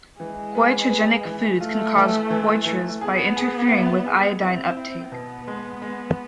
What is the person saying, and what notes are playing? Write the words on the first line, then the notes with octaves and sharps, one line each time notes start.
Goitrogenic foods can cause goitres by interfering with iodine uptake.
E3 G#3
B3
B3
E3
A3 F4
E3
E3
E3
B3 G#4
G#4
E4
G#4
C4 E4
E4
B2 B3
G#3
G#3